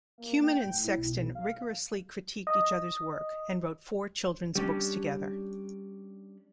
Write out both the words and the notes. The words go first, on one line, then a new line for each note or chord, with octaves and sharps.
Kumin and Sexton rigorously critiqued each other's work and wrote four children's books together.
A#3
G5
A2
E4
B1
F5
D#5
G3 C#4 D4